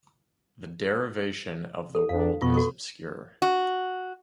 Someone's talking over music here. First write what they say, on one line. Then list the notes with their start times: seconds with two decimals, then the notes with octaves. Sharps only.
The derivation of the word is obscure.
1.95 A4
2.09 F2 D4 F5
2.42 F2 B2 B3 F4 C#6
2.54 F#4 A4 C#6
3.42 F#4